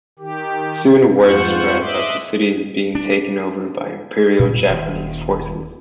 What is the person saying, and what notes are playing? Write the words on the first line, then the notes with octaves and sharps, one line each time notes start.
Soon, words spread that the city is being taken over by Imperial Japanese forces.
D#3 G4
F2 G#2 F4 C5 F#5 C#6
D#5 E5 C6 D6 F#6
D4
A#2
D#1